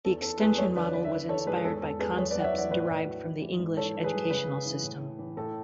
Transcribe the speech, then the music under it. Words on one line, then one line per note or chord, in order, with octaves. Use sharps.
The extension model was inspired by concepts derived from the English educational system.
E2 A4
E2 A4
E2 G#4 B4
F#2 A4 C#5
D3 B4 D5
D3 B4 D5
E5
E3 B4 D5
E3 A4 C#5
G#2 G#4 B4
E2 A4
E2 A4
E2 G#4 B4
F#2 A4 C#5
B4 D5
F#2 F#5
C#5 E5
E3 D5 F#5
A2 B4 D5
A2
F#3
E3
E3
G#2
E3 A4 C#5
E3
G#4 B4
F#2
C#3 G#4 B4
C#3
E3
A2
A2
E3
A2 A4